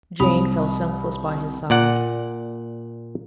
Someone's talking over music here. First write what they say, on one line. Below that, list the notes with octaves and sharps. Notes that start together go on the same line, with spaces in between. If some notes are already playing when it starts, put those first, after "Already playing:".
Jane fell senseless by his side.
C2 B5 D#6 F7
A#2 D5 F#5